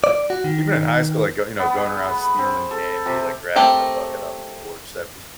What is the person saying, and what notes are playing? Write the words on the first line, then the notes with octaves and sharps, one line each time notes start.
Even in high school, like, go you know, going around stealing candy, like grabbing the bucket off the porch, that
D5
F#4
D#3
B3
G#4
B4
C4
A4
C3
A3 C4 G4 A#4